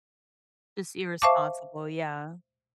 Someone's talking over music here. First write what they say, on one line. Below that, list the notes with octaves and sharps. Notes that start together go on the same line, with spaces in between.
Just irresponsible, yeah.
C5 E5 F5 A5 C#6 D6